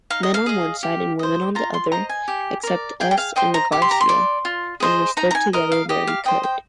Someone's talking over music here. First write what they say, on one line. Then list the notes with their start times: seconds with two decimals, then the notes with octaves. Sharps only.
Men on one side and women on the other, except us and the Garcia, and we stood together where we could.
0.10 D#4 F5
0.23 D#5
0.34 F5
0.46 G#4 D#5
0.83 G4
1.19 C5 D#5
1.55 F4 A#5
1.74 C6
1.92 C5 D#5 A#5
2.09 G#5
2.28 G4
2.63 A#4 D5
3.00 G#4 G5
3.11 G5
3.18 F5
3.36 C5 D#5 G5
3.54 A#5
3.72 G4 D6
3.82 C6
3.91 A#5
4.01 C6
4.09 D5
4.45 F4
4.80 G#4 C5 D#5
5.17 D#4 A#5
5.31 A#5
5.35 G#5
5.53 A#4 D#5
5.72 F5
5.89 G4 D#5
6.07 F5
6.25 C5 D#5 G5
6.43 G5